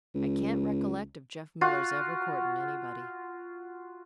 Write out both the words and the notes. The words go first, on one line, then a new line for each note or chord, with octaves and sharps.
I can't recollect of Jeff Miller's ever courting anybody.
C#2
F4 F#4